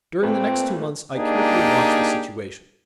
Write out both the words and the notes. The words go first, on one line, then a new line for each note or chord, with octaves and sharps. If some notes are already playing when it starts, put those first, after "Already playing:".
During the next two months I carefully watched the situation.
A#2 A3 C4 B4
A#3 D4 D#4 G4 G#4